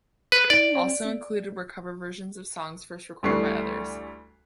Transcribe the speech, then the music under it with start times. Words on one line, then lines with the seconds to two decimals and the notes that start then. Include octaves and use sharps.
Also included were cover versions of songs first recorded by others.
0.32 B4
0.50 D5
3.23 D2 E3 G3 A3 C#6 C7